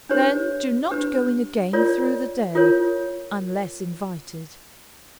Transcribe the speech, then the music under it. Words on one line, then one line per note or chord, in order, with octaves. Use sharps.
Then do not go in again through the day, unless invited.
D4 G4 B4 C#5
D4 G4 B4
F4 A#4 C#5 D5
F4 A#4 C#5